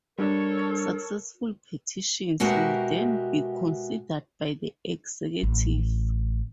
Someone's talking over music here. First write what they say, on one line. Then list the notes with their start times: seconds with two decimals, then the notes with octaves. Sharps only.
Successful petitions will then be considered by the Executive.
0.19 G3 D4 A4 A#4 C#5
2.40 B2 G#3 F#4 G4 A#4 E5
5.43 A1